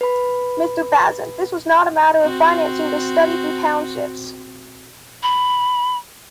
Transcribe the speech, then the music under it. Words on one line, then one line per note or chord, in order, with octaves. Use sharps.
Mister Bazin, this was not a matter of financing this study through townships.
B4 B5
C4 F#4
B5